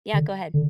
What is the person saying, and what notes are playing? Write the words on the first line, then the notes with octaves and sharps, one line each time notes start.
Yeah, go ahead.
D3
D3